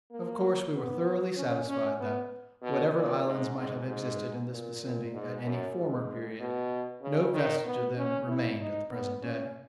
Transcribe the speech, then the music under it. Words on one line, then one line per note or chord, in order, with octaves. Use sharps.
Of course we were thoroughly satisfied that, whatever islands might have existed in this vicinity at any former period, no vestige of them remained at the present day.
A#3
B3
C#4
C#4
B3
B2
A#2
G#2
G#2
G#2
A#2
A#2
G#2
F#2
G#2
B2
C#3
D#3
B3
C#4
E4
D#4
B3
C#4